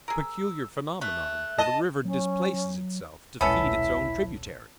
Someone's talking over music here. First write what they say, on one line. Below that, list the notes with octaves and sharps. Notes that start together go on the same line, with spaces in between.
A peculiar phenomenon, for the river displaces itself to feed its own tributaries!
G#4 A#4 E6
A3 E5 F#6
D#5 A5
F#3 C#4
D#1 B1 G#3 B3 C#4 E4 A4 E5